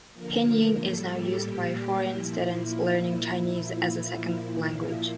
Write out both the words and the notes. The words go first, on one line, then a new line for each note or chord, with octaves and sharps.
Pinyin is now used by foreign students learning Chinese as a second language.
D3 F3 A#3 A#4
A#4
A2 G3 A#3 A4
G4
A#2 G3 A#3 G4
A#2 F3 A#3 E4